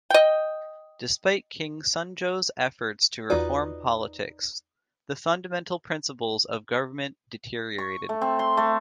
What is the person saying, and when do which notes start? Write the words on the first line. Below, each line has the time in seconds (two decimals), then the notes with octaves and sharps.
Despite King Sunjo's efforts to reform politics, the fundamental principles of government deteriorated.
0.10 D#5 G5
3.30 E2 D#4 F4 F#4 B4 D5
7.78 C#6
8.09 A3
8.21 C4
8.39 C6
8.57 A3